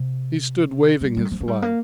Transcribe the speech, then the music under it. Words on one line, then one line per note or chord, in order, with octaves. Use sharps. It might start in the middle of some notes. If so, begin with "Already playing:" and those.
He stood waving his flag.
Already playing: C3
G3
G3
D#3
F3
A#3
G3
A#3